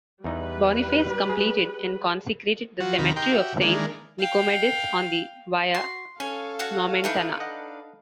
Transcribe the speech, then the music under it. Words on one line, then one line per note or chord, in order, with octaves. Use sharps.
Boniface completed and consecrated the cemetery of Saint Nicomedes on the Via Nomentana.
E2 G3 D#4 B4
G#4
F3 F#3 F#4
D#2 C3 D#3 A#4 B5
D#4 G4 A#4 G5 C6
F#4 G4 E5
D#3 E3 G#3 A#3 D4
F5 G5
F#4 C6
C#4 A4 C#5 F5 G#5
F#4 C#5 F#5
E3 D4 D#4 B4
D#5 F#5